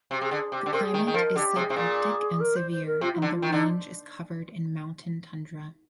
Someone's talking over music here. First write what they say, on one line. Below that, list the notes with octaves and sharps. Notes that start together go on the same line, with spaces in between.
The climate is subarctic and severe and the range is covered in mountain tundra.
C3 G4
C3 G#4
D3
C3 G4
D3
C3 A#4
G#4
D#3
D#3
F3 A#4
D3 G4
C3 G#4
C3
A#2
A#4
C5
C5
A#4
C3 F4
F4
D#4
D3
F4
D#3
D3 D#4